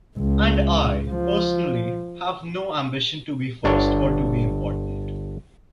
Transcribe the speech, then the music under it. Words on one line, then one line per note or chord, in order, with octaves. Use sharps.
And I, personally, have no ambition to be first or to be important.
C#2
F3
G1 D4 C#5